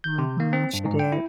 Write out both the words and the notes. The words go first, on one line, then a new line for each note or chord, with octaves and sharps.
Mhm. She did.
G6
C3
A#3
C4
G2
G#2
G5
E4